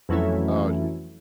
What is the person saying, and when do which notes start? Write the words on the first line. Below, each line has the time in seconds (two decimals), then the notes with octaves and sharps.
Oh, geez
0.09 F2 E3 F#3 A3 C#4 E4